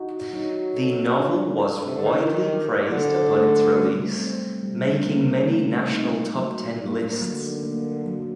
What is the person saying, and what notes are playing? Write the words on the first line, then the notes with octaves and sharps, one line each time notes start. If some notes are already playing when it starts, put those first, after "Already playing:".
The novel was widely praised upon its release, making many national top ten lists.
Already playing: D#4 F#4
F#3 D#4
A4
D4
A4
C3
D3
D#3 D#4
G4
D3 F#3
A3
G3
C4
C3 G3
A#3
A3
D#4
F#3
A#3
D3 F#3
A#3
F#3